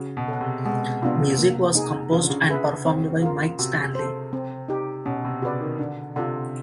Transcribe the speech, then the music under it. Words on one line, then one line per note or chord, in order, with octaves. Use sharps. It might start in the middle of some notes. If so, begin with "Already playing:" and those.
Music was composed and performed by Mike Stanley.
Already playing: C#3 F#4
B2
A4 C#5 F#5
C3
B2 G#3
C3 B3 D4 F4
A#3
D#4 G#4
C#3 F4
D3
C#3
G#4 B4 E5
C4
F4 A#4
C3 F#4
A4 C5
C4
D#4 G4
B2 C#4
C3
C#3 F#4 B4 D5
D#3
D3 D4
C3 F4 A4 D5 F#5